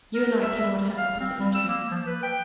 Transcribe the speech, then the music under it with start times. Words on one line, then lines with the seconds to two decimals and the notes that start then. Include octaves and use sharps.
You and I cannot have opposite interests.
0.14 A#4
0.42 E5
0.61 G3
0.97 F5
1.20 C4
1.40 G3
1.55 E6
1.68 A#3
1.91 F3
2.07 B4
2.23 G5